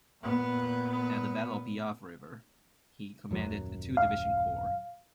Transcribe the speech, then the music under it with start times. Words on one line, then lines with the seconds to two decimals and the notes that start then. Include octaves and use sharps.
At the Battle of Piave River he commanded a two-division corps.
0.22 A#2 B3
3.31 D#1 F#2 F#3
3.97 F5